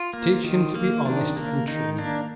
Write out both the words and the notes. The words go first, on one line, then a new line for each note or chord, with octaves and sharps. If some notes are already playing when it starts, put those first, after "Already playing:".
Teach him to be honest and true.
Already playing: F4
A#3
D#3
A#3
D#3 D4
A#3
D#3 D#4
A#3 D4